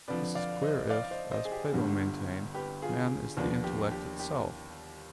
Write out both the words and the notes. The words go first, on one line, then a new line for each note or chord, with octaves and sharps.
This is clear if, as Plato maintained, man is the intellect itself.
F2 D3 F3 B4 D5
D5 F5
C5 D#5
D5 F5
D5
C5 D#5
C5 D#5
G#4
G4
G1 G2 D3 G3
G4 B4
F4 G#4
D#2 D3 F3 B3 D4
G4
G4
G4